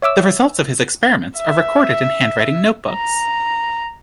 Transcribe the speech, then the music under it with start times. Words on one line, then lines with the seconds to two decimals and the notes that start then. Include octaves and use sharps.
The results of his experiments are recorded in handwriting notebooks.
0.02 C#5 E5 D6 E6
1.37 E5
2.92 A#5